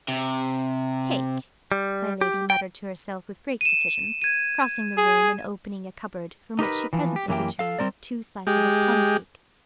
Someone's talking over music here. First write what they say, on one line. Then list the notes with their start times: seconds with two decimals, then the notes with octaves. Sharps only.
"Cake!" my Lady muttered to herself with great decision, crossing the room and opening a cupboard, from which she presently returned with two slices of plum-cake.
0.08 C3
1.72 G3
2.21 G4
2.50 G5
3.61 D#7 E7
4.22 G#6 D#7
4.98 G#4
6.59 D#4 G4 A#4 B4
6.93 E3 F3
7.16 G4
7.28 F#2 E3 A#3 E4 G4 G5
7.59 A4 F5
7.79 G3 A#3 C4 A#4 D5
8.47 G#3 G4